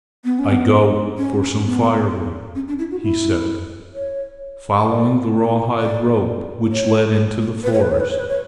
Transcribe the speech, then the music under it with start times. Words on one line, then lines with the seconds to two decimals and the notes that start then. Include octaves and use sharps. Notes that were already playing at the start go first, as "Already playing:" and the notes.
"I go for some fire-wood!" he said, following the rawhide rope which led into the forest.
0.25 B3
0.39 C#4
0.52 B3
1.18 C#4
1.64 B3
2.55 C#4
2.68 D4
2.79 E4
2.91 F#4
3.02 E4
3.94 C#5
4.86 D5
5.79 D5
6.72 C#5
7.64 B4
7.72 C#5
7.82 B4
7.92 C#5
8.00 B4
8.09 C#5
8.19 B4
8.28 C#5